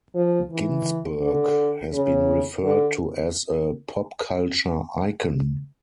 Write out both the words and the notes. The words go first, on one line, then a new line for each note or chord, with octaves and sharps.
Ginsburg has been referred to as a "pop culture icon".
F3
E3
D3
C#3
D3